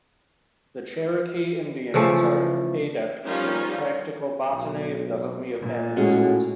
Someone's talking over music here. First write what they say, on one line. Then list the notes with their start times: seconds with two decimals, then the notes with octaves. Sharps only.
The Cherokee Indians are adepts in practical botany of the homeopathic sort.
1.94 C#3 E3 F3 A3
3.25 D#3 F3 G3 C#4 D#4 F4
4.50 B1
5.61 A#2
5.97 A2 G#3 C#4 F#4 G#4